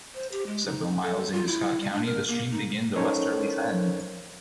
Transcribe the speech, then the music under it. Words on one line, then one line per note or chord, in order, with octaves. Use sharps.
Several miles into Scott County, the stream begins a westerly trend.
C5
G4
G#3
D#4
A4
F4
E4
G3
D4
A#4
A#3
D#4
C#4 D#4 A4 A#4 C5 C#5